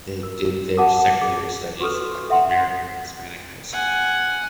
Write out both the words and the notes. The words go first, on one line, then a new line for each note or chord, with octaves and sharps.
They did their secondary studies at the American Hispanic High School.
A#4
F#5 A5 D6 D#6
G#4
F#4 G4 A4 B4
A4 E5 F#5 C6
F#5 G#5